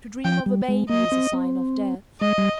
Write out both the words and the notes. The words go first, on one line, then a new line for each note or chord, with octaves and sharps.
To dream of a baby is a sign of death.
F3 G5
G3
G#3
A#3 D#5
C4
C4
G#3 D#5
G3